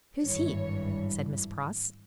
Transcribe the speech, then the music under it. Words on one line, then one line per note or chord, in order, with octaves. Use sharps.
"Who's he?" said Miss Pross.
G#1 G2 E3 C#5